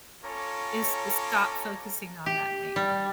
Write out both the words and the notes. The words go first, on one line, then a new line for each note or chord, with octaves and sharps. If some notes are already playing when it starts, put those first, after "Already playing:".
is to stop focusing on that thing.
C#4 F4 A4 C#5 A#5 D6
G4
G3